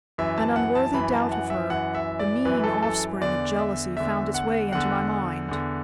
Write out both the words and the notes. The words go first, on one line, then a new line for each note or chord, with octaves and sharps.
An unworthy doubt of her--the mean offspring of jealousy--found its way into my mind.
F#2 E3 E5
A5
F#5
A5
F#2 E3 B5
A5
F#5
E5
F#2 E3 F#5
E5
D5
F#2 E3 B4
A4
A4
E2 D3 D5
E5
E2 D3 E5
F#5
E2 D3 F#5
E2 D3